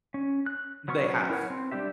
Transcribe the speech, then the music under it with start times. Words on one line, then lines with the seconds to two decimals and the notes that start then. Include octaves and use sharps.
They have.
0.14 C#4
0.46 F#6
0.88 F#3 B3 C#4 C#6 F6
1.30 E4 A#4 B4 C#5 F#5
1.50 C4
1.71 G3 C4 D4 G4 E5